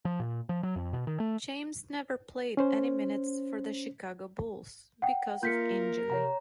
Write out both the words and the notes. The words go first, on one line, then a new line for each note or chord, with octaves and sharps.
James never played any minutes for the Chicago Bulls because of injury.
F3
A#2
F3
F#3
F2
B2
D#3
A3
C#4 C5
F#5 G5
A#3 F4 A#4 G6 B6 C#7
C3 C#5 F#5 A#5